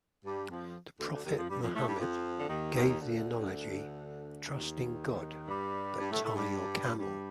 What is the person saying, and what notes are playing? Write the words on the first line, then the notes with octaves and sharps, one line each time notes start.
The Prophet Muhammad gave the analogy "Trust in God, but tie your camel.".
G2 G3
F2 F3
D2 D3
D2 D3
D#2 D#3
F2 F3
G2 G3
F2 F3
A2 A3
G2 G3
F2 F3
D3
D#2 D#3
D#2 D#3
D#3
D2 D3
D#2 D#3
G2 G3
G2 G3
A2 A3
A2 A3
G2 G3
G2 G3